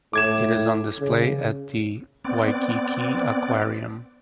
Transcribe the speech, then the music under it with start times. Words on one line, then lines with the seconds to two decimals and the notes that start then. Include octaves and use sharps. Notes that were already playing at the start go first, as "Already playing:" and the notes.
It is on display at the Waikiki Aquarium.
0.13 A2 D6 G#6 E7
1.00 C#3
2.25 B3 C4 D5